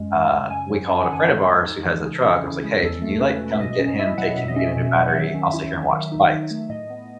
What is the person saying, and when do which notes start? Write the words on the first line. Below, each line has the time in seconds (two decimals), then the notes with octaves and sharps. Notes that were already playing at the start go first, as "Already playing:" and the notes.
uh, we called a friend of ours who has a truck, and I was like, "Hey, can you, like, come get him, take him to get a new battery? I'll sit here and watch the bikes."
Already playing: F#2 G#3
0.12 F#2
0.31 C#3
0.50 F#2 G#5
0.69 F#3
0.88 C#4 A5
0.97 G#5
1.04 F#5
1.08 D#3 G#5
1.28 A2 A4
1.46 G#3
1.66 D#4
1.85 E3
2.05 C#3 G#4
2.15 A4
2.24 C#4 G#4
2.44 E4 G#4
2.64 G#3
2.82 E2 A4
3.02 A3
3.21 C#4 B4
3.40 B2
3.52 E5
3.60 B2 D#5
3.80 C#4
3.99 E4 E5
4.18 F#3 F#5
4.37 B2 E5
4.48 D#5
4.56 C#4 E5
4.76 B2
4.96 F#3
5.07 F#5
5.15 D#3 E5
5.34 C#4
5.54 E4
5.74 F#3
5.93 D#3
6.12 D#4
6.31 D#3
6.51 A3
6.70 A2 D#5
6.90 B3